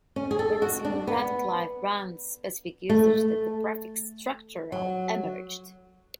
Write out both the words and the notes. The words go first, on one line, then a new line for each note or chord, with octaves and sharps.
It is in Radcliffe-Brown's specific usage that the prefix 'structural' emerged.
C#4
G#4
A4
F#4
D4
B3
A3
F#3